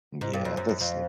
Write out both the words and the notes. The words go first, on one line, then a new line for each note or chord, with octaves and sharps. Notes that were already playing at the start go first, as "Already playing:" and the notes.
Yeah, that's n
G#2
G2
F2
F#2
F#2
F2